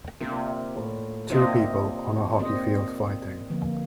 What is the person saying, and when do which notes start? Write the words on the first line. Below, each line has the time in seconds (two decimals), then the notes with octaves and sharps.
Two people on a hockey field fighting.
0.21 C3 A#3 D4 F4 A#4
0.76 A2
1.30 C3 A#3 D4 F4 C5 D#5
2.39 A#2 C4 G4 C5 D#5
3.48 G2 D3 F3 A#3